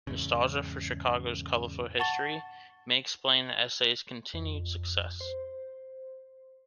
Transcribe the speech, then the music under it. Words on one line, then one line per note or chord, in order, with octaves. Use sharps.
Nostalgia for Chicago's colorful history may explain the essay's continued success.
E2 G#2 C#3
F#5 A5 C#6 A6 G7
F2
C5